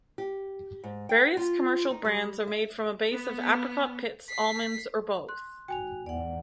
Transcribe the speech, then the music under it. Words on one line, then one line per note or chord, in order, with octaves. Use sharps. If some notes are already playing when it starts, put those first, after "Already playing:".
Various commercial brands are made from a base of apricot pits, almonds, or both.
G4
G#2
G5
F4
D#4
G3
E5
B3
B6 C7
C6 F#6
G#1 F#4 G5 G#5 F7
E2 G#2 D5 F#5